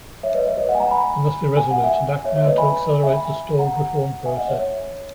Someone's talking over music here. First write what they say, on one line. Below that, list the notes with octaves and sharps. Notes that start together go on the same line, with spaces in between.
We must be resolute and act now to accelerate the stalled reform process.
C#5 E5
B4 D#5
C#5 E5
B4 D#5
D#5 F#5
G#5
F#5 A#5
G#5 B5
G#5
F#5
E5 G#5
C#5 E5
C#5 E5
B4 D#5
G#5 B5
E5 G#5
G#5 B5
F#5 A#5
E5 G#5
D#5 F#5
C#5 E5
C#5